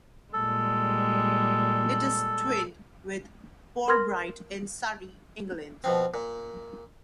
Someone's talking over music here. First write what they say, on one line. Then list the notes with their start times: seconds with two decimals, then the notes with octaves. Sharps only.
It is twinned with Pirbright in Surrey, England.
0.33 A#2 G3 G#3 A4
3.88 A#4 B5 C6 F6 G#6 A#6
5.84 B2 F3 C4
6.14 A#2